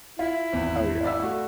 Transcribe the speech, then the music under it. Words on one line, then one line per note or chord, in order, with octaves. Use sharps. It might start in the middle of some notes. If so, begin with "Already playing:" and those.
Oh, yeah.
E4 F4
G#1 E2
D5 B5 E6
A3 F#4 F5